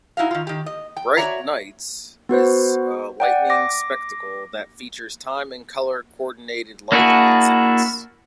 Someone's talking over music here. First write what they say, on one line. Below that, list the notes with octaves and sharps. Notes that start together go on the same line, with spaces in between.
Bright Nights is a lighting spectacle that features time and color coordinated lighting exhibits.
D#4 E4 F#4 F5
D#3 F4
D#3 G4
D#5
G5
F#4 C#5 D5 E5 A#5
B3 F#4 B4 C5
D5 F#5 G5
D6 A#6
A#3 D4 E4 F#4 G#4